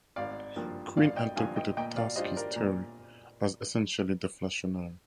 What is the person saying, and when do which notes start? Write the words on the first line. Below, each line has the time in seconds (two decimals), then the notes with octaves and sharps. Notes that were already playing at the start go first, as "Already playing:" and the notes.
Quine interpreted Tarski's theory as essentially deflationary.
0.16 G#1 D5 F5
0.56 G2 F3 A#3
0.97 G#1 D5 F5
1.16 D#5 G5
1.36 G2 F3 A#3 F5 G#5
1.56 D#5 G5
1.77 A#2 D#5 G5
1.96 D5 F5
2.16 G3 D4 F4 C5 D#5
2.36 A#4 D5
2.56 A#2